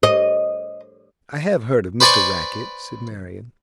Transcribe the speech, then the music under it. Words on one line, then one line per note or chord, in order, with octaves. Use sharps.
'I have heard of Mr Rackett,' said Marian.
D#5
B4 C5 D5 G#5 B5 C#6